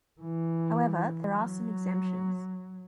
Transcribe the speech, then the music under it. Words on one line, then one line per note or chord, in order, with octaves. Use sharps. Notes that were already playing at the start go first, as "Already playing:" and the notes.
However, there are some exemptions.
E3
F#3